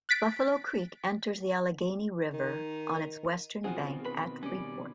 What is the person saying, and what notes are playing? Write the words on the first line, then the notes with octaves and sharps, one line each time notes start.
Buffalo Creek enters the Allegheny River on its western bank at Freeport.
F#6 A6 B6 D7
D#3
B2 D#3 C4 F4 F#4 G#4
B4 B5
G3 C#4 D5